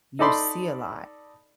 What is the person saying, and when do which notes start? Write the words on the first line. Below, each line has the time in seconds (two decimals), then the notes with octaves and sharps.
you see a lot,
0.19 D#4 A4 D5 B5 C6